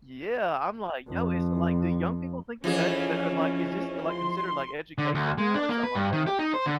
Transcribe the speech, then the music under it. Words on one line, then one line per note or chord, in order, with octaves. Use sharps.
Yeah, I'm like, "Yo" it's like, do young people think that that that are, like is this, like, considered, like, education now or something like that?
F2
F2 E3 F3 C#4 G#4
C6
D3
D2
G#3
D4
A#3
B4
G2
D#3
G4
D#4
C5
D3